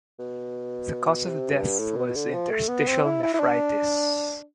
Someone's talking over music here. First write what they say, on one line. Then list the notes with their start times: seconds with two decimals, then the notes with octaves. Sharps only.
The cause of death was interstitial nephritis.
0.19 B2
1.25 C3
1.53 G2
1.79 A2
1.97 B2
2.16 D3
2.33 F3
2.51 A3
2.68 B3
2.87 C4
3.05 E4
3.23 E4
3.34 E4
3.40 D4